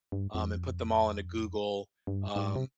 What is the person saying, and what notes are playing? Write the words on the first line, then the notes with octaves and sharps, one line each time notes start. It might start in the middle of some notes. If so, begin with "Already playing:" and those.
um, and put them all in a Google, um,
G2
F2
G2
G#2
C3